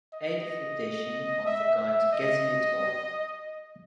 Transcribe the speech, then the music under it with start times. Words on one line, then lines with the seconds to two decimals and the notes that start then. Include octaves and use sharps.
The Eighth edition of the Guide To Getting It On!
0.14 D#5
1.46 E5
1.79 E5
2.13 D#5